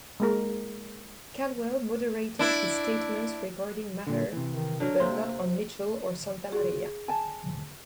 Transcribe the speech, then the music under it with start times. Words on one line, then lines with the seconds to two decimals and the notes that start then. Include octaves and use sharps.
Calwell moderated his statements regarding Maher, but not on Mitchell or Santamaria.
0.20 G#3 A#3 A#4
2.39 D4 E4
4.07 A#2 D3
4.32 C3 E3
4.52 D#3
4.80 D3 F#3 D4 A#4
5.00 C3 A#3 C4 A4 C6
6.52 F4 F#4 G#4
7.08 G#5 A5